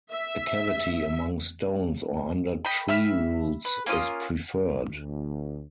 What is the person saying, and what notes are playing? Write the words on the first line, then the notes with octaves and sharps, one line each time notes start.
A cavity among stones or under tree roots is preferred.
E5
D#5 G5 B5
E5 B5 E6 F6
B4
A#3 C#4 F4 D#6
D2